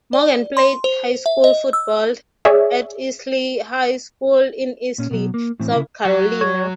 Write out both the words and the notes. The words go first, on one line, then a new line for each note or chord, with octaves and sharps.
Morgan played high school football at Easley High School in Easley, South Carolina.
D5
C6
C5
E5
D#5
E6
G#4 C#5 D5 E5
A#2 C#4
B2 F#3
A#3
A2 E3 C4
C#3 E4
F#3
C#5